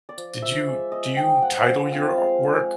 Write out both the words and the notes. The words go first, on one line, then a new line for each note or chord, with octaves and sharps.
Did you do you title your a work?
D5
F3
F3 E5
G#3
F3 D#5
G#3 G5
F3 F#5
F3
C4 F5
G#3
G#3